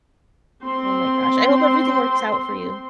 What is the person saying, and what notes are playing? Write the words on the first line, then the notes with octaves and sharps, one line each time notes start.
Oh, my gosh. I hope everything works out for you.
C4 C6